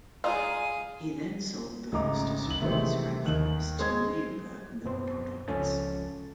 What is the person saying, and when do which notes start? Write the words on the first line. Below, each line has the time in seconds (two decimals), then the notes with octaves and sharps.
He then sold the Fosters Freeze franchise to Meyenberg Milk Products.
0.24 G#3 D#4 F4 G#4 D5 F5 D#6 D#7
1.92 G#1 C#3 A3 D#5 A#5 D6
2.46 G#1 F#7
2.61 C3 D#3 E3 G#3 A3 C4
3.25 D#2 D#3 F#7
3.79 G#3 C4 G#6
4.85 F#2 B2 B3 C4 C5
5.48 C#2 F3 C#4 A4 A6